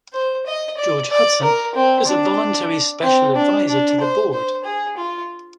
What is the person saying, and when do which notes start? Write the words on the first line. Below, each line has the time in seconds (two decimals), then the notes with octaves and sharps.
George Hudson is a voluntary special advisor to the Board.
0.13 C5
0.46 D#5
0.77 D5
1.10 D5
1.42 A#4
1.75 C4
2.07 D4
3.03 C4
3.35 D4
3.68 D4
4.00 C5
4.33 C5
4.64 G#4
4.97 F4